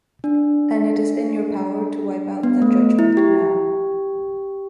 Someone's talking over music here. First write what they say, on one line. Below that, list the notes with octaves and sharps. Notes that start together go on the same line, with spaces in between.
And it is in your power to wipe out that judgment now.
D4
B3
A3
E4
G4